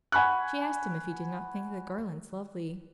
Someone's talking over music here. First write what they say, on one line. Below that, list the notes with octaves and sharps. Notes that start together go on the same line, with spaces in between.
She asked him if he did not think the garlands lovely.
F#5 G#5 B5 C#6 F#6